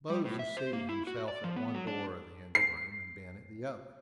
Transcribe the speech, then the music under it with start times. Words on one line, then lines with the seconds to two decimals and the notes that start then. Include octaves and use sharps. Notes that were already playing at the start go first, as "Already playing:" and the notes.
Moses seated himself at one door of the engine-room, and Ben at the other.
0.10 G3
0.25 A2
0.39 E5
0.57 C5
0.73 A#3
0.89 E4
1.07 F#4
1.28 D5
1.44 F3
1.56 B3
1.74 F#3
1.87 D4
2.55 C7